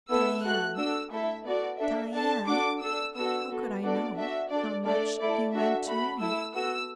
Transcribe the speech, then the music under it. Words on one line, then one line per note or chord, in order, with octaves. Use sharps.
Diane, Diane, how could I know how much you meant to me?
B3 E4 A4 E6
A3 F#4 A4 F#6
D4 F#4 A4 E6
A3 E4 A4 E5
B3 F#4 A4 D5
D4 A4 E5
D4 A4 A5
D4 F#4 A4 D6
D4 A4 E6
B3 D4 F#4 A4 E6
B3 F#4 A4
B3 D4 F#4 A4 D5
D4 F#4 A4 E5
D4 A4 D5
A3 D4 A4 D5
A3 E4 A4 D5
D4 F#4 A4 E5
A3 F#4 A4 B5
A3 E4 A4 E6
B3 F#4 A4 E6